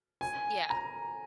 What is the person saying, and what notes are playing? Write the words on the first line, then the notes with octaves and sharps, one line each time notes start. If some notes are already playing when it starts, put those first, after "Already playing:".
S Yeah.
G#5
A#5